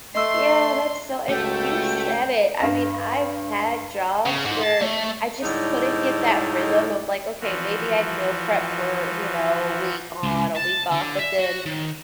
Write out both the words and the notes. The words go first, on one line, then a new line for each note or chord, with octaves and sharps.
Yeah, that's so and you said it, I mean, I've had jobs where I just couldn't get that rhythm of, like, okay, maybe I'd meal prep for, you know, a week on, a week off, but then,
A3 D#5 C6 E6 C7
C#2 A3 F#4 G5
G2 F5 A#6
C#3
G#2
A5
A3
A2 D3 G3 G#3 D#4
E3 F3 F#4
C#2
A5
D3
E5
F#4
D#3